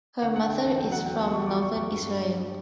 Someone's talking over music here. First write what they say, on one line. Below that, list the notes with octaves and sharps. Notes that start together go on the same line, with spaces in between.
Her mother is from northern Israel.
D3 F#5
F#5
D3
G5
E2 A5
G5
F#3
F#5
E2 G5
A5
F#3
C#6
F#3 D6
C#6
F#3
C#6
G2
G2
G3